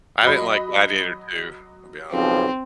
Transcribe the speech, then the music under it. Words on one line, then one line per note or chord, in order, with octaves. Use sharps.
I didn't like Gladiator II, I'll be honest.
F#3 D#5 B5
B1 C#3 F3 C4